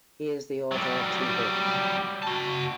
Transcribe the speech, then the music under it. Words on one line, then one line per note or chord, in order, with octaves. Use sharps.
He is the author of two books.
F#3 G3
F#4 A5